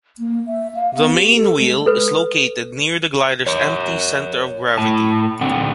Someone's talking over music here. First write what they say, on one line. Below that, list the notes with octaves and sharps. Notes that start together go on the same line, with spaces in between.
The main wheel is located near the glider's empty centre of gravity.
A#3
E5
F5
B3
G4
A4
G#3
A4 B4
A#4 C#5
A2 A5
D3 C4 F#5